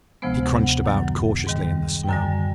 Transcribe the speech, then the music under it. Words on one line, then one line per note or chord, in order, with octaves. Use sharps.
He crunched about cautiously in the snow.
D2 C3 F3 G#3 B3 C5
F#5
F#5
F#2 D#3 F#3 F#5
G#2 D#3 G3
G5
F#2 D3 G3 G#5